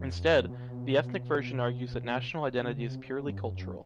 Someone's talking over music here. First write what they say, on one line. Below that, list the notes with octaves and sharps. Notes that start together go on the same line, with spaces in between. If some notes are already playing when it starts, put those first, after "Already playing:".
Instead, the ethnic version argues that national identity is purely cultural.
Already playing: F2
B2
B2
C#3
C#3
C3
C3
G2
F#2